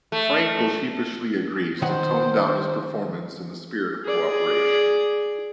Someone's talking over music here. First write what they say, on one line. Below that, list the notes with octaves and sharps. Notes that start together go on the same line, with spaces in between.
Frenkle sheepishly agrees to tone down his performance in the spirit of cooperation.
A3
D#3 C5 F#5
G#4 D5